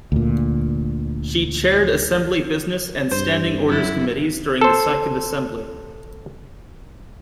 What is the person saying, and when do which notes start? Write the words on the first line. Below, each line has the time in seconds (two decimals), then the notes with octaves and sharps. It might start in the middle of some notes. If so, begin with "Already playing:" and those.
She chaired Assembly Business and Standing Orders Committees during the Second Assembly.
0.12 D2 A#2
3.11 G2 C5
3.67 F#2 E4
4.61 A4 C5